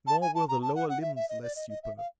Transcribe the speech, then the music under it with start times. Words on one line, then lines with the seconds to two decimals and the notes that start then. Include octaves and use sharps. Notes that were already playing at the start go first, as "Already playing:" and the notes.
Nor were the lower limbs less superb.
0.07 A5
0.22 G#5
0.35 A5
0.48 A#5
0.62 A5
0.75 F#5
0.89 F#5
1.02 E5
1.16 E5
1.29 D#5
1.43 D5
1.56 D#5
1.70 D#5
1.83 E5
1.97 F5